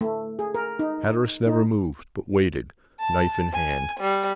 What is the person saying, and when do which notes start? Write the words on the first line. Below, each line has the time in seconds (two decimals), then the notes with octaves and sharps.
Hatteras never moved, but waited, knife in hand.
0.01 A3
0.39 G#4
0.55 A#4
0.79 D#4
1.46 D#4
3.00 A5
3.53 G#5
4.00 G3